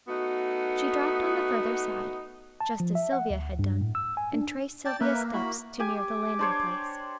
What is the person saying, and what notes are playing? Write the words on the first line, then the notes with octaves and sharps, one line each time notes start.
She dropped on the further side, just as Sylvia had done, and traced Sylvia's steps to near the landing-place.
A3 B3 D#4 F#4
A5
F3
E5
F#5
D2
G2
A2
E6
G#5
D4
D5 G5 A5 A6
A#3 A#4 B4 E5
E4 F#4 B5
G4 G#5 D6
D4 C5 C#5